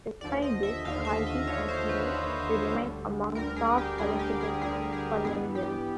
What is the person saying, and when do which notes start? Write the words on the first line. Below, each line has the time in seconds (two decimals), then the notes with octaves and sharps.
Despite this, Corgi continued to remain among top collectables for many years.
0.21 D#2 D3 F3 D5
0.42 D#5
0.63 E5
0.85 D#2 D3 F3 F5
1.05 E5
1.27 D#5
1.47 D#2 D3 F3 C#5
1.68 C5
1.89 B4
2.10 D#2 D3 F3
2.73 D2 D3 G3
3.35 D2 D3 G3 A#4
3.56 G#4
3.78 G4
3.98 D2 D3 G3 G#4
4.19 G4
4.41 G#4
4.62 D2 D3 G3 G#4
4.93 G#4
5.24 G2 E3 G3 B3 G#4
5.55 G4